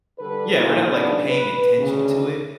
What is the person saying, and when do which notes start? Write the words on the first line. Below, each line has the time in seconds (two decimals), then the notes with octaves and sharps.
Yeah, we're not, like, paying attention to it
0.19 D3 G3 A4 B4
0.53 A#2 E4
0.88 D#2 G#2 C#3 F#3 B3 D4
1.28 B4
1.78 D2 C#3